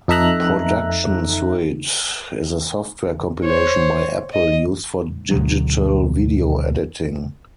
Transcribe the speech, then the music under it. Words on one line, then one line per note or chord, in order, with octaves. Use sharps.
Production Suite is a software compilation by Apple used for digital video editing.
F2 D#4 A4 E5 A#5 F#6
C5 C#5
D#5
D2 B2 F#3